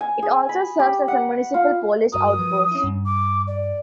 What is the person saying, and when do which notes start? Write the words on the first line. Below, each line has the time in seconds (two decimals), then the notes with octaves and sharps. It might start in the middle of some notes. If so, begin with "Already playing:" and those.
It also serves as a Municipal Police Outpost.
0.01 G#5
0.23 G#4
0.49 B5
0.79 G4
1.08 F#5
1.54 F4
2.12 G2 F#4 A#4 D#6
2.39 F3 B4
2.71 C#4 E4
2.84 G2
3.05 D6
3.47 D5